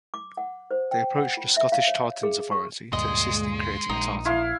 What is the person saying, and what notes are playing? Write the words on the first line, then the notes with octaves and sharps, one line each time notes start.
They approached the Scottish Tartans Authority to assist in creating a tartan.
D6
F#5
C5
G5
F#5
F4
E5
F5
C#5
G#4
C#6
D2 G2 A#2 G#3 D#5
A#1 D#4
E4 F5 C6